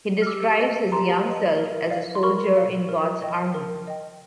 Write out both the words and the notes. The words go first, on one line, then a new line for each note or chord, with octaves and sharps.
He describes his young self as a "soldier in God's army".
F6
G4 D6 E6
B4 D#5
G4 A#5 C6
B4 D#5
A#4
D5 F5
C6
A#4 B5 C#6
D5 F5
A#4
D#5 G5
A#4
D#5 G5